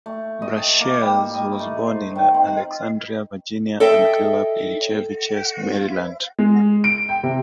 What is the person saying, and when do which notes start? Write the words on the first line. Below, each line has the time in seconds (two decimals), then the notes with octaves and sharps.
Brashares was born in Alexandria, Virginia and grew up in Chevy Chase, Maryland.
0.06 A3
0.42 D#5
0.58 A5
0.80 A#3
1.02 G3
1.34 D#5
1.59 A3
1.87 C5
2.16 D#3
2.34 C4
3.80 A4 D#5 E5 G5
6.39 G#3
6.84 D7
7.09 G5
7.24 C3